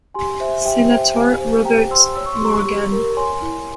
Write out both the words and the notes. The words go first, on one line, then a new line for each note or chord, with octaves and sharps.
Senator Robert Morgan.
G4 G#5 C6
C5 E5
G4 E5 G5
C5 E5 G5
G4 F5 G#5
C5
G4 G5 A#5
C5 C6 E6
C#5 E6
C#6
C6
G4 A#5 C#6
G4
A#4
C#5 G#5 C6
E4